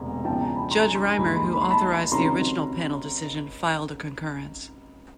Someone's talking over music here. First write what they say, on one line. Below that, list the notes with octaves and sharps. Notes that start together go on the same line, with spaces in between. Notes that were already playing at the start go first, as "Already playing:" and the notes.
Judge Rymer, who authored the original panel decision, filed a concurrence.
Already playing: E1 D2 C3 A#5
E2 C#3 F3 G5 A5
G#5 A#5
A5 B5
A#5 C6
G#5 A#5
A#5 C6
G#5 A#5
D#2 D3 F3 G#3 B5
C6
B5
C6
B5
C6
A5 B5
C#2 C3 D#3 F#3 A#5 C6